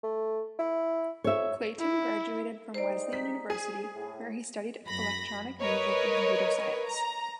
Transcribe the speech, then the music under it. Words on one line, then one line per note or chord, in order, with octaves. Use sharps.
Clayton graduated from Wesleyan University, where he studied electronic music and computer science.
A3
E4
F2 C#5 E5
E4
G3 G#3 D#4 C5 D5
B6
G#4
A2
F#2 B5 A#6
A#4 B4 C#5 D#5
A#5